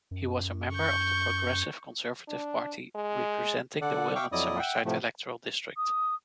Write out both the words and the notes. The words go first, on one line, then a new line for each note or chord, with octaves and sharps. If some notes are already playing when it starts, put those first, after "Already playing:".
He was a member of the Progressive Conservative Party, representing the Wilmot-Summerside electoral district.
F#2
C#6 G6
D4
G#3
D3 A4 D5 F#5
E5 F5 G5 C#6 D6
F2 F#3 E4 D5 D#5 D#6
E5 F#5 G5
A2 C3 F3 A3
D#6